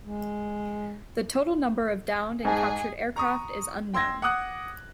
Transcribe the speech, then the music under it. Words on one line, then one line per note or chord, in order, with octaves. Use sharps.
The total number of downed and captured aircraft is unknown.
G#3
G#2 G#4 A5
A#5 C#6 D#6
G5 C6 E6 G#6 A#6
F#5 D6 D#6 F#6